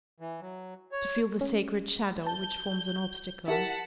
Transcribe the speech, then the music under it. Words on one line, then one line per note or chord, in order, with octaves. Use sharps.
To feel the sacred shadow which forms an obstacle!
E3
F#3
C#5
C#4
A5 G6
E4 G4 A#4 F#5 A5 B6